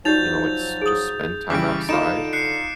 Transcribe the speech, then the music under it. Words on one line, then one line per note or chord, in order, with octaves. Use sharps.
you know, like, s just spend time outside,
F3 F#3 D#4 G4 D5 G6 A6 F7
G#4 D#6
C#3 E3 G3 D6 D7
D3 D#4 F4 D#5 B5 D7 E7
F#6 C7 C#7